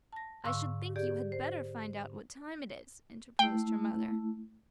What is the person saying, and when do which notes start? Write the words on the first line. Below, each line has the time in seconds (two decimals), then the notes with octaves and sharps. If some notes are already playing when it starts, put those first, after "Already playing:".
"I should think you had better find out what time it is," interposed her mother.
0.13 A5 A#6
0.44 G#2 D3 F5 C#6 E6
0.96 G4 G#4 D5
1.32 C5
3.39 A3 E4 G5